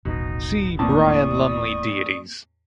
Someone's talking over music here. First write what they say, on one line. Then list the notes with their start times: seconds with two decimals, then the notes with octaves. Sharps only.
See Brian Lumley deities.
0.05 D#1 A1 B2 D#4
0.79 E2 A2 A#3 C4 D5 A5 C#6 D#6